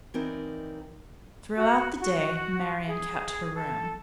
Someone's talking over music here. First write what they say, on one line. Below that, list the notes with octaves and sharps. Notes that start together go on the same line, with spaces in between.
Throughout the day Marian kept her room.
E3 C4 D#4 A#4 D5 D#5
F#4
F#4
G#4
A4